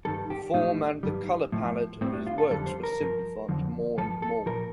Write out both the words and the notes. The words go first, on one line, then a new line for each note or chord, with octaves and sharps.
The form and the color palette of his works were simplified more and more.
G2 D#3 G3 A4
G4
A2 G3 D#4
G2 D#3 G3
A2 F3
A2 G3 C4
D4
F4
A4
F2 D3 G3 A4
C5
A#4
G2 F3
F2 D3 F3
G2 F3 A4
A4
A#2 F3 A#4